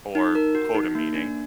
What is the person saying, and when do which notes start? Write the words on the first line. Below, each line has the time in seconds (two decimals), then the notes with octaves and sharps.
or quota meeting.
0.15 D#4
0.35 A#4
0.55 F#4
0.75 D#4
0.95 A#3
1.15 D4